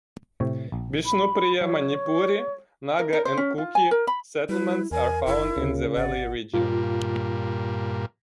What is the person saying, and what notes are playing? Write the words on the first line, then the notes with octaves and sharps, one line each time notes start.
Bishnupriya Manipuri, Naga and Kuki settlements are found in the valley region.
A2 C3 C#5
A#1
B5
F#3 C#5
A#4
A#4
C5
C#4
F4
G#5
A#4
B5
G3 E4 B4
E2 A#4 G#5
F#1 E4
D2 C#3
G#1 D5 F#5
G2 A#2 F4